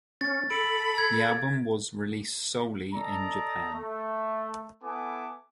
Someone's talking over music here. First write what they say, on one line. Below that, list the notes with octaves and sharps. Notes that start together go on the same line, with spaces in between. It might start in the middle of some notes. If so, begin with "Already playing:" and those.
The album was released solely in Japan.
C#4 A6
A4 B5 D7
G#6
A4 D5 D#5 A#5
A3
B3 E4 A4 G#5 A5 D6